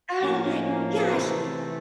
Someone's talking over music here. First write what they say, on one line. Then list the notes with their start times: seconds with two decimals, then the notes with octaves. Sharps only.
Oh my gosh.
0.23 A2 F3 A#3 C#4
0.45 C#4
0.68 C#4
1.03 B3
1.13 C3 E3 A3 C4